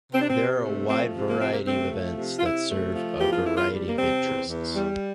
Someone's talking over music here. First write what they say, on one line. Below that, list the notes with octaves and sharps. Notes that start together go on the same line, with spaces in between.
There are a wide variety of events that serve a variety of interests.
C3 C4
D4
C4
C3
A3
F3 C4
C3
A#3
C3 C4
A#3
A3 C4
F3
C3
F4
C3 E4
A3
F3
E2 G4
F4
E2 E4
F4
G3
A#3
C3 C4
E2
E2
G3